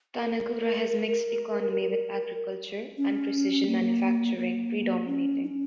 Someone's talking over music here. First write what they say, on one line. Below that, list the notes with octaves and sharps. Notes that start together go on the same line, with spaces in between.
Tanagura has mixed economy with agriculture and precision manufacturing predominating.
A#4
C#4
A#3
A#3
C#4
D#4
C#4